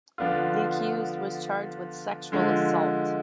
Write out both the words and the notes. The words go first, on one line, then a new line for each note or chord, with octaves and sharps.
The accused was charged with sexual assault.
D3 F3 B3 D4 F4
D3 F3 G#3